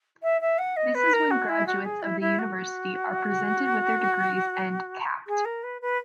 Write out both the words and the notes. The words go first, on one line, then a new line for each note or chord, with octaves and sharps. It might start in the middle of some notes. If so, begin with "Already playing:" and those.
This is when graduates of the university are presented with their degrees and "capped".
E5
E5
F#5
D#5
B4
A#4
F#4
E4
F#4
G#4
E4
E4
F#4
G#4
A#4
B4
B4